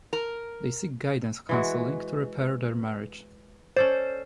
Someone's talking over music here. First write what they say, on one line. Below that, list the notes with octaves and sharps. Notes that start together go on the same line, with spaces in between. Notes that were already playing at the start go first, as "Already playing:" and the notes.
They seek guidance counselling to repair their marriage.
A#4
E3 G#3 F#4
C#4 A4 C5 D5